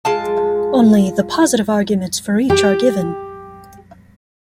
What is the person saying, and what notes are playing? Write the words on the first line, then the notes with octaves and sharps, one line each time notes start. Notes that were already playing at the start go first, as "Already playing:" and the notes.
Only the positive arguments for each are given.
G#3 F4 A5
G4 G5